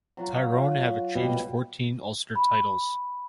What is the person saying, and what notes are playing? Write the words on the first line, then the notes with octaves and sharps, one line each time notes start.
Tyrone have achieved fourteen Ulster titles.
F#3 F4 F#4
B2 G3
B5